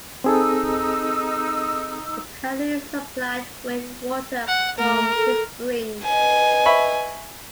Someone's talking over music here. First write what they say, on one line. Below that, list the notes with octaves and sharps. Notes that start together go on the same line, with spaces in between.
The town is supplied with water from six springs.
C4 D#4 G#4 A4 E6
F#5
A3 A#4
A4
B4 D#5 G#5
E5 B5 C#6